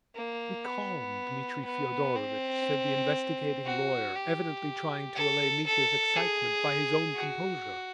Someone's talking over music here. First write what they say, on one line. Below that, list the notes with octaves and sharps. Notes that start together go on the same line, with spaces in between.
"Be calm, Dmitri Fyodorovitch," said the investigating lawyer evidently trying to allay Mitya's excitement by his own composure.
A#3
B3
B3
C4
F#4
G4
A4
A4
G#4
F#4